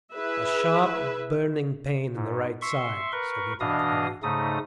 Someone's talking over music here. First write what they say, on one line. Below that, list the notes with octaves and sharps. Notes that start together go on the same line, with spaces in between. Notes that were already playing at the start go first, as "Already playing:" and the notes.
"A sharp, burning pain in the right side," said the apothecary.
E4 G#4 B4 E5
G#2
E5 C6 C#6
A#4 B4 C#6
B2 E3 D4 D#5 F5 D#6
G#2 C#3 A3 D#4 D#6